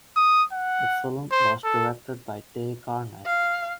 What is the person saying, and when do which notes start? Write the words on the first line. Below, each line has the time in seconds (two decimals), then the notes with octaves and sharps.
The film was directed by Tay Garnett.
0.16 D#6
0.52 F#5
1.31 C5
1.64 A4
3.26 F5